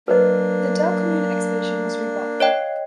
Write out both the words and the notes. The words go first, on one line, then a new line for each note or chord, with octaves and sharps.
The Delcommune Expedition was rebuffed.
F#3 A#3 D4 B4 C5 D#5
C#5 D#5 F5 G5